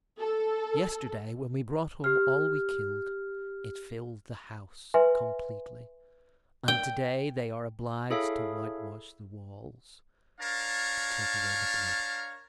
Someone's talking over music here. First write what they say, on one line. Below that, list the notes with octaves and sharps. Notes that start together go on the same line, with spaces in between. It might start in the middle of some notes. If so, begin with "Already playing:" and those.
Yesterday, when we brought home all we killed, it filled the house, completely; and, to-day, they are obliged to white-wash the walls, to take away the blood.
A4
G4 F6
B4 E5 G#5 C6
G5
E4 G#4 A4 C#5 E5 F5
D4 A#4 C#5 F5 A5